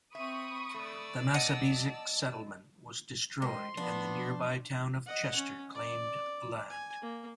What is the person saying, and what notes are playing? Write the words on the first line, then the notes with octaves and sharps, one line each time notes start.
The Massabesic settlement was destroyed, and the nearby town of Chester claimed the land.
C4 E5 B5 C#6 D#6 D#7
A3 D5 E6
B3 D#5 F#5 A5
D#3 G#3 C5 D#5 C6
F3 B3 D4
D#5 F#5
C#4
D5
G#5
A#3